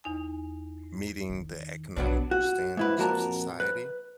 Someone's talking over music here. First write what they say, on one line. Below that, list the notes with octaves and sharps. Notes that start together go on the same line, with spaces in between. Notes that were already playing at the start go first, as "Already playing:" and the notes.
meeting the economical standards of society,
E2 D#4 G#5
D#3
B1 G#2 F#3 B3 D4
F#4
G#2 E4 B4
F2 A#2 F#4 A#4 A5 A#5
B4